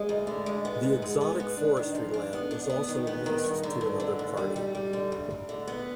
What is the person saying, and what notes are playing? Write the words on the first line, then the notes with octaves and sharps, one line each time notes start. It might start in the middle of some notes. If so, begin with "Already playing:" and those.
The exotic forestry land was also leased to another party.
Already playing: G#3
D2
D3
G#3
B3
G#2
G#3
B3
B3
D4
D#3
F3
D4
B3
D4
B3
D#3
B3
D#3
G2
D3
G2
D3
D#2
G3
G3
G3
D3
D2
D2
D3
B3